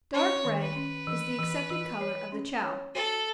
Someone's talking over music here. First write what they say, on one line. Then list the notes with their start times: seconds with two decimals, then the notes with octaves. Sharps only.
Dark red is the accepted colour of the Chow.
0.14 C#4 C#5
0.45 D#3
0.61 B4
0.76 C#4
1.07 E3
1.38 E3
1.70 E3
2.01 C#5
2.32 C#4
2.64 C#5
2.95 F#4 A4